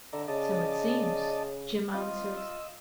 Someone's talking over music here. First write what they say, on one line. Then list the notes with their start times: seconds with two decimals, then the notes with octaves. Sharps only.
"So it seems," Jim answered.
0.13 D3 D5 E5 A#5
0.28 C#3 D5 D#5 A5
1.94 C4 F4 D#5
2.36 D#5 E6